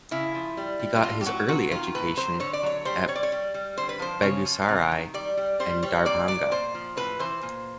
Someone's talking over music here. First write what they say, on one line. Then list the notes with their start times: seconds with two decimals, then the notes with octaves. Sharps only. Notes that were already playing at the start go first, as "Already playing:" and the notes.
He got his early education at Begusarai and Darbhanga.
0.11 C#3 E4
0.34 F3
0.57 G3
0.79 G3
0.96 F#4
1.03 A2 F4
1.21 G4
1.26 F#3 F#4
1.49 C3 F#4
1.72 D#3 F4
1.94 A2 B4
2.17 F#3 C5
2.40 D3 C#5
2.53 D5
2.63 F#3 C#5
2.85 G3 C5
3.08 G3 C#5
3.15 D5
3.23 C#5
3.32 G3
3.54 G3
3.77 D3 C5
3.89 B4
3.99 F3 C5
4.22 C#3 C#5
4.45 F3
4.69 C3
4.91 D#3
5.14 G3 D5
5.37 G3
5.60 G3 C5
5.83 G3 C#5
6.05 A#2 D5
6.28 F#3 D5
6.51 A#2 C5
6.75 F3
6.97 A2 B4
7.19 E3 C5
7.43 A#2